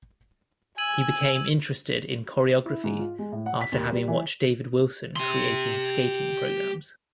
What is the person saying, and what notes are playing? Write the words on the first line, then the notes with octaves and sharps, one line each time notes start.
He became interested in choreography after having watched David Wilson creating skating programs.
G#5 E6 G#6 D#7 F#7
E4
G#2
F4
G#3
A2
F#5
B6
D#2
G3
E3
G4 C6